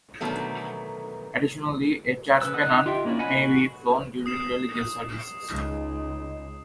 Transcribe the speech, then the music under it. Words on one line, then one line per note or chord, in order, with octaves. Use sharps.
Additionally, a Church pennant may be flown during religious services.
B2 D3 D#3 F#3 A3 B3
C#3 B4 E6
D3 D#4 F#5 D#6 F#6
F4 G4 D#5 E5 G5
A#3 C#4 D4 E4 F4
D#5 F#5 G#5 B5
F#4
D#6 C7 E7
C#2 G#3 D#4